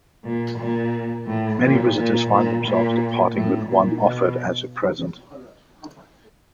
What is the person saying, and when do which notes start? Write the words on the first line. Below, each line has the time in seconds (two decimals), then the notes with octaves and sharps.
Many visitors find themselves departing with one offered as a present.
0.24 A#2
0.58 A#2
1.26 A2
1.62 A#2
1.96 A#2
2.30 A#2
2.65 A#2
3.33 A2
3.68 A#2
4.01 B2